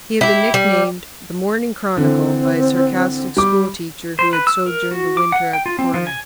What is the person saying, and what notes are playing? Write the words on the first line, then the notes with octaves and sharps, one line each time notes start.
He had been nicknamed "The Morning Chronicle" by a sarcastic schoolteacher who had sojourned a winter at the Corner.
E4 G4
G3
D3 E3 C4
G3 D6
C5
B4
E6
A#4
F#4
D6
F#5
G5
F4
C4
F3
G#5